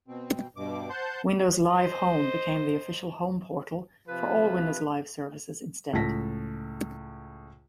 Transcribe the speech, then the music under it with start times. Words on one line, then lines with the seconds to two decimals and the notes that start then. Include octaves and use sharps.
Windows Live Home became the official home portal for all Windows Live services instead.
0.08 B2 C4
0.56 G2 B2 D6
0.90 C5 F#5 A5 C6 G6
1.71 C5 D#5
4.08 C3 F3 B4
5.93 C#2 A2 A5 A#6 B6